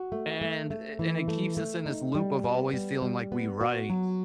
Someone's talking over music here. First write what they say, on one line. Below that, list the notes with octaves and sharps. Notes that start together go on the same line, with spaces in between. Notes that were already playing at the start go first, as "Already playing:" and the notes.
And and it keeps us in this loop of always feeling like we right
Already playing: F#4
A3
A3
A3
E3
A3
A3
D#4
G3
B3
G3
G3
B3
F#4
F#3